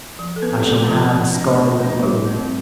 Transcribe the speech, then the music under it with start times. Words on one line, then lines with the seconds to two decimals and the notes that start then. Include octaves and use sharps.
I shall have a scarlet robe.
0.19 F3
0.36 A4
0.42 B3 C4 B4
0.57 G4
0.65 F3 A3 A4
0.88 F3 C4 F4
1.11 F3
1.34 A3 D4
1.57 F3
1.80 A3 D4
2.03 E3 G3 G4
2.25 A3 C4